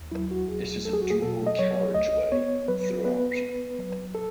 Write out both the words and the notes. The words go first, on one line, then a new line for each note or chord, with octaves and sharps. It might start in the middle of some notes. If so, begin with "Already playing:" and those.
It is a dual carriageway throughout.
Already playing: D#2
F#3 E4
F#4
D#2 G#4
F#3 A4
G#4
F#4
G#4
B2 A4
D#5
F#3 C#5
C#2 D#5
B3 C#5
F#3 B4
B3 B4
B3
F#3
A4